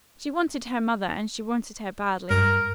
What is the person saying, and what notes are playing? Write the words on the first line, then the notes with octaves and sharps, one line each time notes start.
She wanted her mother and she wanted her badly.
G2 A#4